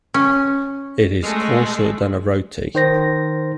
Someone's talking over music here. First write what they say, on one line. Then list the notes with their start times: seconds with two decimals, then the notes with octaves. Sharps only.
It is coarser than a roti.
0.14 C#4
1.22 G#3 A3
2.75 D#3 C5 A#6